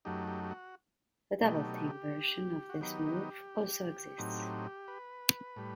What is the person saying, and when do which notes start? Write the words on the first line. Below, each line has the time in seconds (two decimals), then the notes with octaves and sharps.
A double team version of this move also exists.
0.05 F#2 F#3 A3 D#4 G4
0.27 G4
0.44 G4
0.51 F#4
1.42 B2 F#3 A3 D#4 G4
2.70 F#4
2.81 D#3 F#3 B3 D#4 G4
4.18 A2 F#3 C4 D#4
4.88 B4
5.56 A2 G3